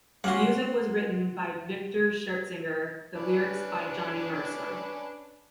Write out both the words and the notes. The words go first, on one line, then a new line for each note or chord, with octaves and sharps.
The music was written by Victor Schertzinger, the lyrics by Johnny Mercer.
A#3 C#4 F#4 F#5 C6
C#4 D4 B4